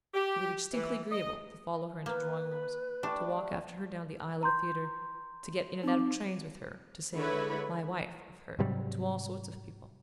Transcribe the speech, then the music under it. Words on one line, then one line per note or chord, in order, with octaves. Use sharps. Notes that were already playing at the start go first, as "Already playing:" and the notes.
It would be distinctly agreeable to follow her into drawing-rooms, to walk after her down the aisle of a theatre, to get in and out of trains with her, to say "my wife" of her to all sorts of people.
G4
E3
D#5
A#3 B4
B5
G3 A3 D4 D5
A#5 C6 G6
C4 D#4 D6
D3 G#3 E4 B4 C#5 B5
G#2 C3 F#3 G3